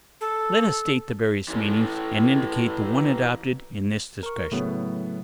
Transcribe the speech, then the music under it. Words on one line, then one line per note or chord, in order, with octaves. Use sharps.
Let us state the various meanings and indicate the one adopted in this discussion.
A4
E3 C#4
A#4 C#6
A2 C#3 F#3 B3